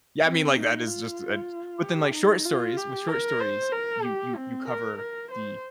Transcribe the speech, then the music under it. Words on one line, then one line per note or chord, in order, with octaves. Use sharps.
Yeah, I mean like that is just, eh but then, like, short stories with short stories, you you you cover the,
C4
D#4
F4
G4
D#4
F4
G4
A#4
C5
A#4
G4
C4
A#4
A#4
C5